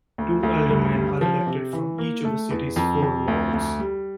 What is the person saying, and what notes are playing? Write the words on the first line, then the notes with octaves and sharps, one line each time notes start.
Two aldermen are elected from each of the city's four wards.
D2
D2
G2
G3
F3
C3
E3
A#3
A3
E2
F2
F2
D2
D2
G3